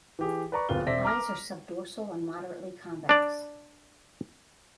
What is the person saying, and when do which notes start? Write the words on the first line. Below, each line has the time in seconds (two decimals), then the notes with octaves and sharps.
Eyes are subdorsal and moderately convex.
0.19 E3 G4 G#4
0.52 B4 D5 A#5 C#6
0.69 D1 B3 F4 G7
0.87 E1 C4 D5 E5 A#6 B6
1.05 A#5 D6 F6 A#6
3.09 D4 D5